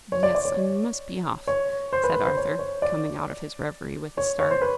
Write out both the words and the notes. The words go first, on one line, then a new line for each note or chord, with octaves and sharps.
"Yes, I must be off," said Arthur, coming out of his reverie with a start.
C#5
D5
D5
C#5
C#5
C5
B4
B4
C5
C#5
C#5
D5
C#5
C#5
C5
B4